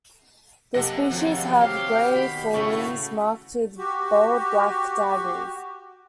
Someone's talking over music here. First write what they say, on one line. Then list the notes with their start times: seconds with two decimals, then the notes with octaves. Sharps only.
This species has grey forewings marked with bold black "daggers".
0.75 C3 A#3 A4 D#5 F#5 A#6
1.11 F2 D#3 F#3 G#3
1.61 F#4 G4 C#5 F5
2.14 B2 D#3 B5
2.54 A2 C#3 A3 B4 F#5 C#6
3.78 F#4 G4